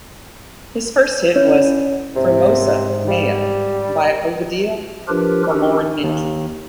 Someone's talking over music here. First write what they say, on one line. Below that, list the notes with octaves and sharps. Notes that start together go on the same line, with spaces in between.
His first hit was "Frumoasa mea" by Ovidiu Komornyc.
C#4 E4 C#5
G#2 C3
G3
F3 D4 F4 G4 A#4 B4
C#4 D4 F#4 G4 A4 A#4
D#2